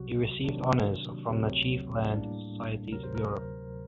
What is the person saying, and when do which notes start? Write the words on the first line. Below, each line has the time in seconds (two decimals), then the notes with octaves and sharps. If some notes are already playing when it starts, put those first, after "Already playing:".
He received honours from the chief learned societies of Europe.
Already playing: C2 C3 F#3 F#4
0.44 C3 D#3 F#3 A#3 D4
1.28 D2 C3 F#3 A3 C4
2.10 A2 G3 A#3 D4
2.92 D2 C3 F#3 A#4
3.03 C5
3.15 A#4